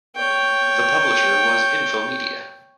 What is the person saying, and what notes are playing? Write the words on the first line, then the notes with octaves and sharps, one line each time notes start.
The publisher was Infomedia.
C#5 G5